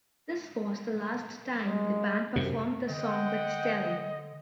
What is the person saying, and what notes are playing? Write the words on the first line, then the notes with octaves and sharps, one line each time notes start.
This was the last time the band performed the song with Staley.
G#3
F#2 C3
D3 D#5 F#5 G5